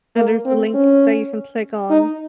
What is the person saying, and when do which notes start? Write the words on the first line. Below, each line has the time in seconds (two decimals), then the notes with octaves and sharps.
and there's a link that you can click on
0.16 A#3
0.46 C4
0.74 C#4
1.90 D#4